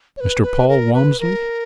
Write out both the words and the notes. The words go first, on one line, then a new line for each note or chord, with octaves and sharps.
"Mr. Paul Walmsley?"
C#5
B4
B4
A#4
B4
A#4